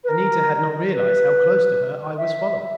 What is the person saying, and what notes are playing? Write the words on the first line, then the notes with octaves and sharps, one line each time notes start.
Anita had not realized how close to her I was following.
B4
A#4
B4
E5